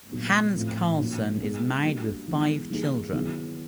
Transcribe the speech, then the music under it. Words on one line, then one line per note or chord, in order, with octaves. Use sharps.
Hans Karlsson is married with five children.
A#2 F#3 B3
A2 F3 A3 C4 F4
A#2 F3 A#3 C#4 F#4
G#3 B3 D#4 G#4
G3 A#3 D4 F#4
E3 G#3 B3
E3 G3 A#3 D#4 G#4
D#3 F#3 B3 E4 G#4